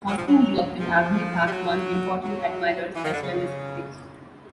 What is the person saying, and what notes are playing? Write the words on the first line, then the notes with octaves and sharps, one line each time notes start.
Hosking's work at Abney Park won important admirers, as well as critics.
F#3
F3
F#3
F3
G3
F#3
F#3
E3
D#3
D3
C#3